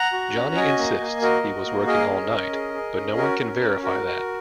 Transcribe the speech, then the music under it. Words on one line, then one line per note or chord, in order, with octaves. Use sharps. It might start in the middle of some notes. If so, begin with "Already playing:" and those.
Johnny insists he was working all night, but no one can verify that.
Already playing: F#5 A#5
F#4
C#4
F#4 D#5 G#5
A#3
A#3
F#4 A#4 D#5
F#4
A#3
G#4 A#4 D#5
C#4
C#4
G#4
G#4
C#4
F#4 A#4
C#4
C#4
F#4 A#4
F#4